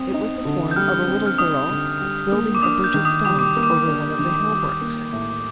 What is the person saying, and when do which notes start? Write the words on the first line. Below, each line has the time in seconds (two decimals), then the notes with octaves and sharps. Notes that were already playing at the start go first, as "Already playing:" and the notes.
It was the form of a little girl, building a bridge of stones over one of the hill-brooks.
Already playing: G3 C4 D#6
0.14 D#4
0.45 D3
0.71 G6
0.76 G3 F6
1.07 C4
1.26 F6
1.38 D#4 D#6
1.70 D3
2.01 G3
2.32 A#3
2.55 D6
2.63 D4 D#6
2.84 G6
2.94 D#3
3.05 D#6
3.25 G3 D#6
3.39 D6
3.57 A#3
3.63 D6
3.88 D4
4.19 D#3
4.50 G3
4.81 A#3
5.13 A2